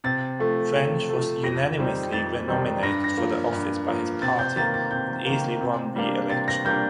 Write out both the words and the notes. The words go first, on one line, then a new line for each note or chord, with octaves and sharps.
French was unanimously renominated for the office by his party, and easily won re-election.
C3 A6
F3 A3
C3
F3 A3
F2 A#6
D#3 G3 C4 D#4
F2 A6
D#3 G3 C4 D#4
G2 A#6
A#6
F3 A#3
G2
F3 A#3
C3 A6
G6
D#3 A#3 A6
A6
C3 G6
D#3 A#3
C3
G3 A#3 D4
C3 A6
A#6
G3 A#3 D4 G6